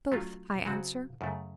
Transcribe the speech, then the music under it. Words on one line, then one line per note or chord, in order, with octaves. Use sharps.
Both, I answer.
F#3 A3 C#4 F4
C#3 F#3 C4 F#4
F#2 C#3 A3